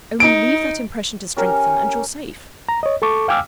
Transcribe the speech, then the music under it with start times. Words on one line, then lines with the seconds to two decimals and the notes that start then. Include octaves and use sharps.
Only leave that impression to strengthen, and you're safe.
0.20 D#4 D7
1.37 C#4 G4 A#4
2.69 A#5
2.83 C#5 D#5
3.02 A4 A5 C#6 D6
3.28 F5 G5 G#5 D6 E6 F6